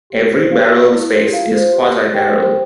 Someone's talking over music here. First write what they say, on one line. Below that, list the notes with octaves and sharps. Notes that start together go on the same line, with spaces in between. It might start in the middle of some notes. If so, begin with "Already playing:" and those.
Every barrelled space is quasi-barrelled.
G4
C5
G4 F5
A#4 C#5
E4
G4 A#4 C#5
F4 F5
C5
G4
C#5
G4 G5
C5